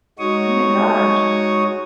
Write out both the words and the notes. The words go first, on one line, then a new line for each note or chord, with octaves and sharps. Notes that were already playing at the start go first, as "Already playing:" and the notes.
Oh my gosh.
G#3 D#4 F#4 C#5 C#6 D#6